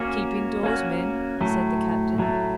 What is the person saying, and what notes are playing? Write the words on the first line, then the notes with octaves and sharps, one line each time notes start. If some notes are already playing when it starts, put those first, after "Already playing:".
"Keep indoors, men," said the captain.
Already playing: A#3 C#4 F#4
A#3 C#4 F#4
A2 F#3 A3
A2 F#3 A3